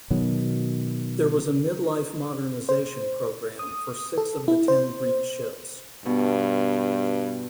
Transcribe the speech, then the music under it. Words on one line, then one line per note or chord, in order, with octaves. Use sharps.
There was a midlife modernization programme for six of the ten Greek ships.
B2 D#3 F#3
C5
D#6
A4
E4
C5
G2 B2